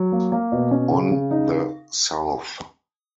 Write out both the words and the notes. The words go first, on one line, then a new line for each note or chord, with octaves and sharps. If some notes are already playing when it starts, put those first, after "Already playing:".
On the South.
Already playing: F#3
A#3
A#3
B2
C#4
C#3
C#3
D#4
D#4